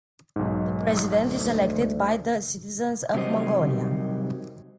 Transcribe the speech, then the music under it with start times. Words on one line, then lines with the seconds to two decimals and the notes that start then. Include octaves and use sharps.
The President is elected by the citizens of Mongolia.
0.36 B1 G#2
1.27 D2
3.14 C3 D#3 F#3 G3 C5 D#5